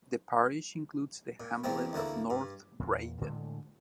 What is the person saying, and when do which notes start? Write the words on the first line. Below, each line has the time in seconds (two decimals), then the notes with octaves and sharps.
The parish includes the hamlet of North Bradon.
1.40 A#2
1.64 E2 A#2 F3 A#3 C4
1.93 D2 D3 A#3 E4
2.30 G2
2.79 E2 A#2
3.21 A2 D3 G#3 A3